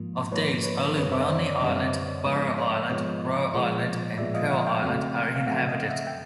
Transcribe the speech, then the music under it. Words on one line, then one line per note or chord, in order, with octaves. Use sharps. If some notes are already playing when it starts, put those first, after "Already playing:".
Of these, only Walney Island, Barrow Island, Roa Island and Piel Island are inhabited.
Already playing: G#2 F3 A#3
G#2 F3 A#3 B4 C#5
B4 C#5
F#2 D3 G3 C4 B4 C#5
E5
D#5
C5 D5
C#5
D5
F#2 D3 G3 C4 C#5 D#5
G#2 F3 G#3 B3
C#5 D#5
G#2 F3 G#3 B3 C#5 D#5
A#2 F3 G#3 B3
A#2 F3 G#3 B3 D5 E5
D#5 F5
E5 F#5
F5 G5
F2 C#3 F#3 A3 C4 F5 G5
F5
F2 C#3 F#3 A3 C4 E5 F#5
D#5 F5
E5 F#5
G5